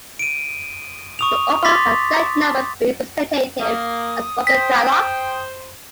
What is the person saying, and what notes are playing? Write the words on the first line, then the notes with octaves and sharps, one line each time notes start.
The opera has set numbers with recitative and spoken dialog.
D7 D#7
C#6 D#6 F7
C6 D6 A6 B6
A#3 D#6
C5 G5 B6